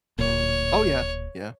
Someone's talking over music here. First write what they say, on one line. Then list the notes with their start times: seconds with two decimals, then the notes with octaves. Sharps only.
Oh, yeah, yeah.
0.19 D1 A#2 C#5